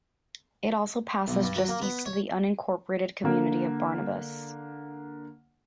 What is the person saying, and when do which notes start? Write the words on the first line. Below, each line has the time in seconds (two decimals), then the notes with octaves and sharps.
It also passes just east of the unincorporated community of Barnabus.
1.28 B1
1.43 G2
1.56 F#3
1.68 A#3
1.82 B3
2.06 C#5
3.23 D3 A#3